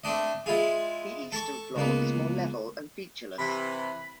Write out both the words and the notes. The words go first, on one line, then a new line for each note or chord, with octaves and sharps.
The eastern floor is more level and featureless.
A3 C4 D4 D#5
G#3 E4 F4 G#4
A4 A5 C#6
C#2 A#3 B3
C3 E3 B5